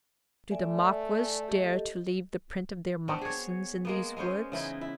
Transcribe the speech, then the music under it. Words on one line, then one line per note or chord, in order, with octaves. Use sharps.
"Do the Maquas dare to leave the print of their moccasins in these woods?"
A3 D5 E5 G#5
G4 A4 D#5
B3 C4 D4 F#4
G#4 C#5
G#3 A#3 B3
G#3 B3 C#4 C5
C#3 E3 D#4 E4
E4